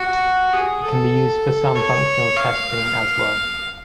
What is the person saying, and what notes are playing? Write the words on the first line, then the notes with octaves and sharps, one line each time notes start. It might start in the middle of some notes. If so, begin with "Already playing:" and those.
It can be used for some functional testing as well.
Already playing: F#4
G#4
A4
C#5
F5